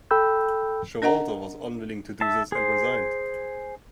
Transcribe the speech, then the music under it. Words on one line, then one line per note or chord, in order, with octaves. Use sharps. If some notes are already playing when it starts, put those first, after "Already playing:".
Showalter was unwilling to do this and resigned.
A4 G5 B5 E6 G6
D4 A#4 D#5 F#5 A#5
E5 A5
G#4 C5